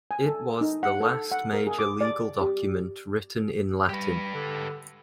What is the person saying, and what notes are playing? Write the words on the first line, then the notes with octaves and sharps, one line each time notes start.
It was the last major legal document written in Latin.
G#5
A4
D#4
F#5
A4
F#5
A#4
G#4
D6
D5
G4
G3 G4 B4
D3